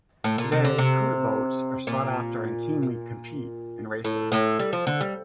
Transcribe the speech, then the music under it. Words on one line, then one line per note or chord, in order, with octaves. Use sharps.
Today, couta boats are sought-after and keenly compete in races.
A2
A#2
C3
D3
C3
A#2
A2
A2
G3
F3
D3
G3